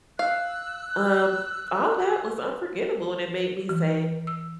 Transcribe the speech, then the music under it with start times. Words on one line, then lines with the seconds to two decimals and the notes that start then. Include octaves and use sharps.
um, all that was unforgettable and it made me say,
0.19 F5 E6 F#6
3.69 E3
4.27 E6